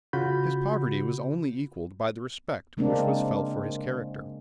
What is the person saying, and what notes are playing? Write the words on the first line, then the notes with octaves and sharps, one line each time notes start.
His poverty was only equalled by the respect which was felt for his character.
C#3 F4 F#4 B5 G6
C#3 G#3 A#3 C4 D4